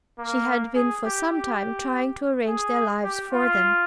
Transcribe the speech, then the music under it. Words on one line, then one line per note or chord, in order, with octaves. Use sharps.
She had been for some time trying to arrange their lives for them.
A#3
G#4
G4
G4
G#4
G4
F4